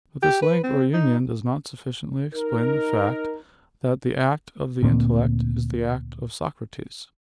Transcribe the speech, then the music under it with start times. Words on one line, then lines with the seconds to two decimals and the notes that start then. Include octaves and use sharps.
But this link or union does not sufficiently explain the fact, that the act of the intellect is the act of Socrates.
0.23 G4
0.42 B4
0.63 C4
0.93 D#4
2.33 D#4 A#4
4.83 D2 A#2 A#3 C4